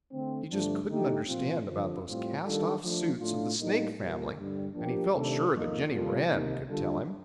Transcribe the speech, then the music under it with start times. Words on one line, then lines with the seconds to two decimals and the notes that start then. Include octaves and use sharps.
He just couldn't understand about those cast-off suits of the Snake family, and he felt sure that Jenny Wren could tell him.
0.11 D3 A3 C4
0.49 G2 D3 F3 A3 D4
0.88 D3 A3 D#4 G4
1.26 A#2 F3 C4 F4
1.65 F2 D3 F3
2.04 A2 G3 C4 F4
2.42 D#3 G3 D4 F4 A4
2.81 F3 A3 D4
3.20 A2 A3 D4 F4
3.58 A2 G3 A#3 D#4
3.96 A#2 G3 A#3
4.36 G2 D3 G3
4.74 F3 A#3 D4 G4
5.13 C3 D#3 A3 D4 A4
5.51 F2 D#3 A#3 D#4
5.89 C3 G3 A#3 F4 A4
6.28 C3 D#3 A#3 D#4
6.68 D3 G3 D4 F4 A4